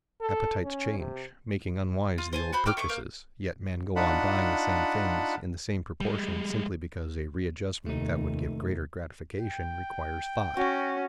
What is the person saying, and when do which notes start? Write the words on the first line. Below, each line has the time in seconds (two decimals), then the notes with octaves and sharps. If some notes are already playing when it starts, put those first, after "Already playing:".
Appetites change, making unwise the old purchases, yet men go on buying the same things in the same proportions simply because a readjustment that would give greater gratification requires thought.
0.21 A4
0.64 C#4
0.99 C3
2.18 F4
2.33 C5 G#5 A5
2.53 F#4 C5 B5
2.66 F#4 G5 D6 F6
2.77 A3 C#6 D6
2.89 A#3 F5 G6
3.96 D4 D#4 F4 F#5 A5 B5
6.01 G3 G#3
7.86 F1 D#2 A3 D#4
9.40 G5
10.57 C#4 F#4